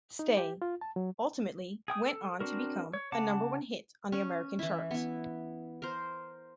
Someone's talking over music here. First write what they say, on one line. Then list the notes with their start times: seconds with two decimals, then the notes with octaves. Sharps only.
"Stay" ultimately went on to become a number one hit on the American charts.
0.19 D#4
0.37 G4
0.62 F4
0.81 A5
0.96 F#3
1.88 G#4 G5 D#6
2.03 A4
2.40 C4 D4 F#4 A#4
2.94 C#5
3.12 C#3 F#5 A5 D6
4.12 C#4
4.59 E3 E4
4.91 B3 E4
5.82 A#4 C5